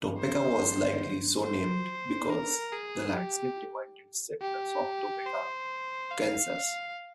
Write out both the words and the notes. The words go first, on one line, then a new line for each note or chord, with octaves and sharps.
Topeka was likely so named because the landscape reminded settlers of Topeka, Kansas.
C5
C5
A#4
G#4
G4
G4
C5
F5